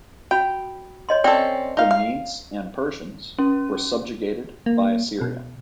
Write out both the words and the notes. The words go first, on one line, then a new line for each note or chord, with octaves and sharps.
The Medes and Persians were subjugated by Assyria.
F#4 G5 B5
C#5 D#5 C6
C4 C#4 A4 D5 G5
D#4 F5
F5
C#4
A#3
B2